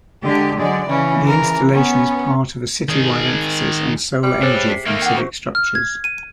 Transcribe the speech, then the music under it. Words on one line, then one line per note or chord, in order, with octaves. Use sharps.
The installation is part of a citywide emphasis on solar energy from civic structures.
D3 G#3 G4
D3 F#3 G#3 D5
C#3 E3 C#4
A#4
B3 C#4
D#3 G#4
G3
G2 D4 G#4 C5 C#5
C3 B6 C7
D#3 A3 A#3 E5 F6
F#5 G5 C7
F#4 C5
F6
G#6
D#7